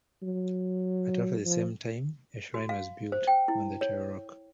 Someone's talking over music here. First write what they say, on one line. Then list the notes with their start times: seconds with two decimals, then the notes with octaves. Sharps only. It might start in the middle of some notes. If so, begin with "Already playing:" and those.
At roughly the same time, a shrine was built on the Tyr Rock.
0.23 F#3
1.45 F3
2.54 F#4
2.69 F5
3.12 C5
3.27 G5
3.48 E4
3.81 C#5